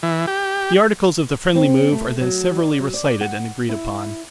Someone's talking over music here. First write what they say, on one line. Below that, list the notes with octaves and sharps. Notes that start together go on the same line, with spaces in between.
The articles of the friendly move are then severally recited and agreed upon.
E3
G4
C4
A3
F#3
D5
F#3
D5
F#5
E4